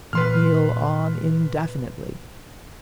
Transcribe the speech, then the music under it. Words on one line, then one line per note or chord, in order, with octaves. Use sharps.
Kneel on indefinitely.
A#2 E3 F#3 B4 C6 F6